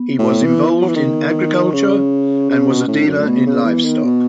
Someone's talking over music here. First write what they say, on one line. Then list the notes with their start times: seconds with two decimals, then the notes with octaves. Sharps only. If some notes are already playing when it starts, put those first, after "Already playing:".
He was involved in agriculture and was a dealer in livestock.
Already playing: B3
0.19 A2
0.44 E3
0.82 F#3
0.89 E3
0.96 D#3
1.72 C#3 C#4
2.50 C#3
2.69 B2
2.88 A2
3.07 F#2
3.16 A3
3.26 B2 B3
3.46 C#3
3.66 E3
3.85 D#3
4.04 B2